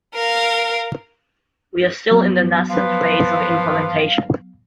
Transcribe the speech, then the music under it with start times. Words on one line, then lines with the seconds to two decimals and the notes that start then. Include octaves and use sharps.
We are still in the nascent phase of implementation.
0.15 A#4 F5
2.11 F#3 B3
2.69 F3 B4 F5